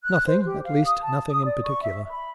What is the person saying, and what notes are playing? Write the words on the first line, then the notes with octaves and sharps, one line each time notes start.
'Nothing, at least nothing in particular.
F#6
C5
G4
F5
D#6
A5
D#6
D5
C#6
E5
B5